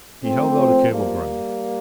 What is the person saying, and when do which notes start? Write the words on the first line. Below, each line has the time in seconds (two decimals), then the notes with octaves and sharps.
He held out a cablegram.
0.23 A#2 F3 A3 C4
0.90 G3 A#3